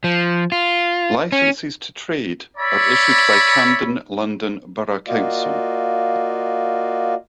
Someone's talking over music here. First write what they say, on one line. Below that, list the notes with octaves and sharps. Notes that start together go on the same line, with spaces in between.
Licences to trade are issued by Camden London Borough Council.
F3
F4
C#4
C#5 D5 E5 B5
A#3 F4 F#4 D5 D#5 F5